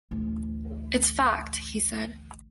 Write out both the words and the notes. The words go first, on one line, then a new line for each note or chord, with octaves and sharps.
"It's fact," he said.
A1 D2